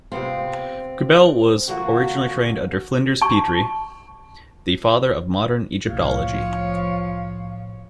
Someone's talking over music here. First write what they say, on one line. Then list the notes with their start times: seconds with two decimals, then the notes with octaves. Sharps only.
Quibell was originally trained under Flinders Petrie, the father of modern Egyptology.
0.12 C3 B3 C4 F4
1.68 D3 F3 A#3 F#4
3.22 A5 C#6
5.88 C2 A2 F3 C#5 F5